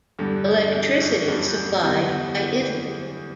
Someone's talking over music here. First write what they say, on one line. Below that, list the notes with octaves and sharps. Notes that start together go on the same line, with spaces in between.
Electricity supplied by Italy.
E2 G2 D3 G3 D4 A4
E2
F#2
E2 G2
F#2
E2 D3 F#3 B3 E4 G4